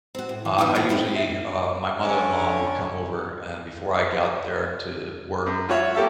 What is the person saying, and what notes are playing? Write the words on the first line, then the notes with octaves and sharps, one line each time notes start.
uh, I usually uh, my mother-in-law would come over, eh before I got there to work
C4 F#4
A2
E3
E3 F3 B3 D4 D#4
D#3 E3 F#4
A3 C4 D#4 E4
E5
D3 C#4 C#5
F#2
F4 F#4 C#5 E5
A#3 G4 A4 E5